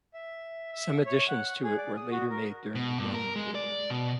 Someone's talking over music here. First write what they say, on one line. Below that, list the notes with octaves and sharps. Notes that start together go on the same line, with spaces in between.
Some additions to it were later made during the Roman period.
E5
E5
C#5
F#5
G#4
D5
D#6
F#4
A#4
B2
G2
A#4
G#3
D5
B2